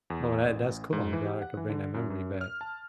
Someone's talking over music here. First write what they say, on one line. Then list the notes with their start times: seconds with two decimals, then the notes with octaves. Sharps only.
Oh, that that's cool, glad I could bring that memory back.
0.10 E2
0.45 A1
0.93 G#2
1.13 E3
1.26 G4
1.42 F#5
1.57 E3
1.69 D3
1.94 F#2
2.10 F#2
2.41 F6
2.61 A5